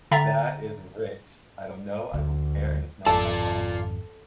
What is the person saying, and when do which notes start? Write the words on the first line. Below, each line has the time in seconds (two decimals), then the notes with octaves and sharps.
That is rich. I don't know. I don't care, and it's not my problem.
0.11 D3 E5 G5 A#5 A6
2.14 D2
3.06 G#1 F2 F4 A4 D5 A5